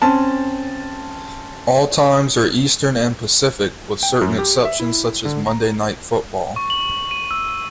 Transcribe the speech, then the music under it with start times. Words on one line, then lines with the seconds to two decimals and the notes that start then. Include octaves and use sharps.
All times are Eastern and Pacific, with certain exceptions, such as "Monday Night Football".
0.02 C4 C#4 A5
4.03 G5
4.21 F#2
4.39 G4
4.65 E5
4.80 E4
5.25 D3
5.46 A#5
6.56 C#6
6.70 F#7
7.11 D#7
7.31 E6